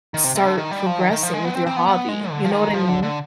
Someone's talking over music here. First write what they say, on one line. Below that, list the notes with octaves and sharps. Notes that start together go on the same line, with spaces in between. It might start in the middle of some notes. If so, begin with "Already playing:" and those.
start progressing with your hobby, you know what I mean?
D#3
C3
C3
D3
D#3
G3
F3
D#3
D#3
F3
G#3
B3
C4
C4
B3
B3
G#3
D3
F3
D#3
F3
D3
D3